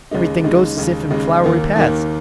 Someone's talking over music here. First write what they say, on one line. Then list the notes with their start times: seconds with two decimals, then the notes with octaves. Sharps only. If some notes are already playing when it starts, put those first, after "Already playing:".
"Everything goes as if in flowery paths."
0.11 D#2 C#3 G#3 D#4
0.44 D#2 C#3 G#3 D#4
0.77 D#2 C#3 G#3 D#4
1.10 D#2 C#3 G#3 D#4
1.44 D#2 D#3 A#3
1.76 D#2 D#3 A#3